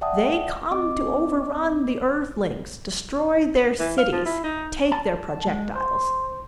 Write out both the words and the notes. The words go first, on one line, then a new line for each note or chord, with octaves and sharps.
They come to overrun the Earthlings, destroy their cities, take their projectiles.
D5 E5 F#5 G5 A5 D#6
C4 D#5 D6
E3
F5
F3
E4
D#4
A5
G#3
C5